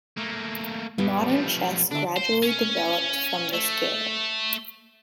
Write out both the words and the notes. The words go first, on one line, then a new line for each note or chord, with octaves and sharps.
Modern chess gradually developed from this game.
A3 A#3
G2 G3 B3
F3 A3
D3 D4 E5
C5
C#4
A3